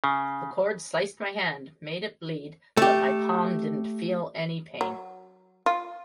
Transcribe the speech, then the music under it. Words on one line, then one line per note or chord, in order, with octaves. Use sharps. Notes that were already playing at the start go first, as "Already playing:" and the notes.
The chord sliced my hand made it bleed, but my palm didn't feel any pain.
C#3
A3 G4
F#3
F4